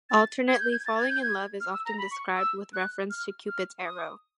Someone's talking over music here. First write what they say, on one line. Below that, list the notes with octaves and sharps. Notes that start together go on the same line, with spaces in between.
Alternately, falling in love is often described with reference to Cupid's arrow.
A6
G#6
G6
G#6
A6
G#6
G6
G#6
F6
E6
A#5
B5
C#6
E6
F#6
F6
F6
D#6